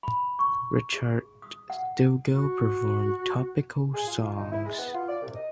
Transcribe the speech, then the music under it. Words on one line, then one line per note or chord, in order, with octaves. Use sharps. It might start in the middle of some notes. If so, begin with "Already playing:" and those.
Richard Stilgoe performed topical songs.
B5
C#6
G#4
D#6
F#5
F#4
G#4
F4
F4
D#4
E4
G#3
B3
F4
D5
C2
D#5